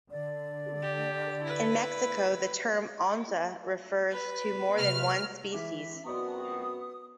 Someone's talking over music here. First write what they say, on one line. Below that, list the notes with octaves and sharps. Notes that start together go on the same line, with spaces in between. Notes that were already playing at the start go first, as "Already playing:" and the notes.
In Mexico the term "onza" refers to more than one species.
D3 D5
G4
E4 B4
B4
C3 F6
E3 G#3 E5 D6
F#2 B3 C4 F#4 D5 D#5 C#6 D#6